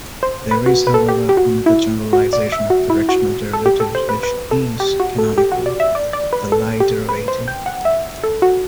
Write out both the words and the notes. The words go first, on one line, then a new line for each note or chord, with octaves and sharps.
There is however another generalization of directional derivatives which "is" canonical: the Lie derivative.
C5
B4
F#4
B4
A4
G4
G4
F#4
E4
F#4
D5
E5
F#4
E4
F#4
A4
G4
A4
C5
B4
B4
A4
G4
F#4
A4
G4
F#4
D5
E5
D5
D5
B4
A4
G4
B4
C5
G5
F#5
E5
A4
F#4